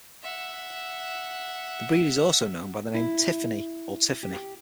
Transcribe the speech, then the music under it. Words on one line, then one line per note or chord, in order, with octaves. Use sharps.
The breed is also known by the name Tiffanie or Tiffany.
E5 F#5
E4
G4